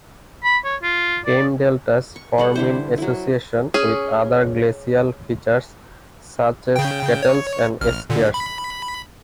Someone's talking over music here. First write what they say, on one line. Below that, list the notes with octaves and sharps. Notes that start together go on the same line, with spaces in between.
Kame deltas form in association with other glacial features such as, kettles and eskers.
B5
C#5
F4
D5
C#6
G3 A4 F#5
D3 E4 C5
F#3 E4
C#4 G#4
C#3 G5
C#5
A1 F6
A#2 D3
B5